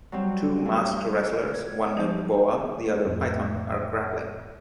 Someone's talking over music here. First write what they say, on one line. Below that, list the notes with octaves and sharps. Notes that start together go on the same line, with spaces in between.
Two masked wrestlers, one named "Boa" the other "Python", are grappling.
F#3 G3 C4
F2
G#6
B3
F3 D#4 G4
A1 F2 A3 C4